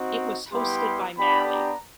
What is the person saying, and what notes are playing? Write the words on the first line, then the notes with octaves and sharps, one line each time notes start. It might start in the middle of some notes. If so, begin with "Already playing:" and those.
It was hosted by Mali.
Already playing: C4 D#4 F#4
G3 B3 E4 G4 C6
B3 D4 G4 B5
A#5